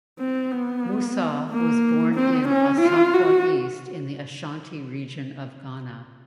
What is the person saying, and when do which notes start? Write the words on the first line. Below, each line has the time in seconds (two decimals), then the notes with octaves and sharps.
Musah was born in Asokwa East in the Ashanti Region of Ghana.
0.19 C4
0.51 B3
1.49 A#3
2.15 C4
2.48 C#4
2.81 F4
3.13 F#4